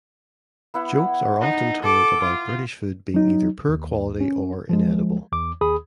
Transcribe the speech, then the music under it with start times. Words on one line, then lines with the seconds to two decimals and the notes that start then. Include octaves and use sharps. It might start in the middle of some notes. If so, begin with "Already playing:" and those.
Jokes are often told about British food being either poor quality or inedible.
0.74 B3 E4 F#5
1.41 D#4
1.83 A4 C5 D6
2.22 F4
3.14 F#3 D#4
3.69 D#2
4.20 C#4
4.69 F3 G#3
5.32 E2 D6
5.61 D#2 G#4 B5 D#6